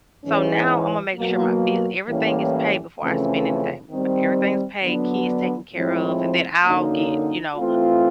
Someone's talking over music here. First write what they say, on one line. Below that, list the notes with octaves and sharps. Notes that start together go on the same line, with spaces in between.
so now Imma make sure my bill everything is paid before I spend anything. M everything's paid, kids taken care of, and then I'll get, you know,
G#2 E3 G#3 C#4
B2 F#3 A#3
A2 E3 G3 A#3 C#4
F2 C#3 E3 A3 C#4
D#3 G3 C4
D3 F#3 B3 D4
A2 F3 G#3 C4 E4
F#2 D3 F#3 A#3 D#4
E3 A3 C4 F4